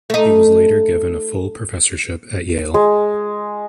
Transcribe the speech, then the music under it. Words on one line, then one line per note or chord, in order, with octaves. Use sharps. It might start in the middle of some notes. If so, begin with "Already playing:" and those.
He was later given a full professorship at Yale.
A3 D#4
G#3